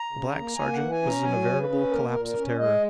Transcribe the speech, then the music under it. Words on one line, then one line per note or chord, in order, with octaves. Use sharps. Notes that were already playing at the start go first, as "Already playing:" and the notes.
The black sergeant was in a veritable collapse of terror.
Already playing: A#5
C#3
A#3
A#3 G#5
F#5
E3
G#5
C#4 A#5
F#3 G#5
C#3
C#5
B4
C#4
A#3 A#4
A#2 A#4
A#4
C#4
G#3 D#5